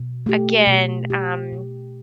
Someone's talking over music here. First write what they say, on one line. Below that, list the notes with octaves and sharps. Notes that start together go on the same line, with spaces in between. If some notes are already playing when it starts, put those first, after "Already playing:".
again, um,
Already playing: B2
A3 G4
B2
A3 G4
B2